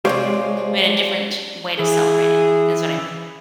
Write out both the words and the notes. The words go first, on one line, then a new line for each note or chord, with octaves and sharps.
I mean, a different way to celebrate it is what I mean.
C3 G#3 D4 F4 G4 C5 C#5
E3 G#4